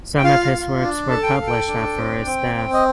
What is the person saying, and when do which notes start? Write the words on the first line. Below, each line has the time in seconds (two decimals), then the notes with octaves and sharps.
Some of his works were published after his death.
0.17 G5
0.24 F4 F5
0.53 F4
0.82 D4
1.10 A4 A5
1.23 G5
1.35 A4 F5
1.47 G5
1.68 D4
1.97 C4
2.26 C4
2.55 C4
2.74 D#5